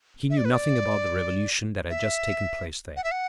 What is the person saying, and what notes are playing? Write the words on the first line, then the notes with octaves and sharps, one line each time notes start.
He knew nothing about the revolution that had just taken place there.
E5
D5
B4
D5
E5
F#5
E5
F#5